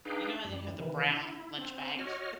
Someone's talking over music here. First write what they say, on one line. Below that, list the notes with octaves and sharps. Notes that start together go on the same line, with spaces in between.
you know how you have the brown lunch bags?
D4 D#4 G#4 B4 F5 G5
F#2 G3
C3 D#3 E3
E4
C4
F#4 C#5 D#5 F6